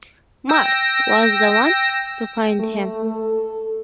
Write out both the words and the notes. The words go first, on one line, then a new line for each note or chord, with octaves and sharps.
Mark was the one to find him.
G5 E6 A#6
A3
A4